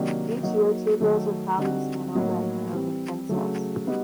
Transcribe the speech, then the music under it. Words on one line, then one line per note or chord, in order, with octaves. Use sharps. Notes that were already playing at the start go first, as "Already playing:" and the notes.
Each year, two girls are crowned Miss Hanover and Hanover Princess.
Already playing: C3 D#3 F#3 A#3 D4
F#3 A#3 D#4 F#4
D#3 F#3 A3
D3 G3 C4 D#4 F#4
A2 F#3 A#3 D#4
E3 G3 C4
C#3 F#3 A3
G3 B3 D#4 F#4